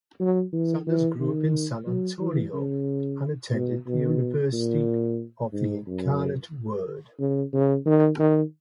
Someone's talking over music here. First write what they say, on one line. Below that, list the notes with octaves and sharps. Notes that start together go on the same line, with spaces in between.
Sanders grew up in San Antonio and attended the University of the Incarnate Word.
F#3
E3
E3
D#3
F#3
E3
C#3
B2
B2
A#2
G#2
F#2
C#3
C#3
D#3
D#3